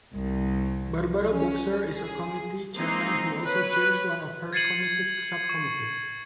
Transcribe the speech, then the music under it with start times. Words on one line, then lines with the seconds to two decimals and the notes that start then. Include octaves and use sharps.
Barbara Boxer is a Committee chairmen who also chairs one of her committee's subcommittees.
0.12 C2
1.30 C#4
1.94 G#4
2.75 G#3 A#3 C4 D#4 C7
3.43 B4 C#5
4.53 G#6 A6 C7 C#7 D#7 F#7
5.50 C#6